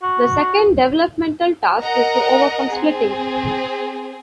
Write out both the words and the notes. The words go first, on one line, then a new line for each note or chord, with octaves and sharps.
The second developmental task is to overcome splitting.
F#4
A#4 D#5 F#5 A#5
C4 G#4